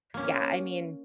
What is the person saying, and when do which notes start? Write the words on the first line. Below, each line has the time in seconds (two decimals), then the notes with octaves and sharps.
yeah, I mean,
0.14 A#3 C#4